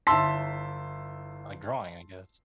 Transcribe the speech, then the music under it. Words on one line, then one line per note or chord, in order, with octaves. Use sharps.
Like, drawing, I guess.
G1 E4 A5 C6 E6 B6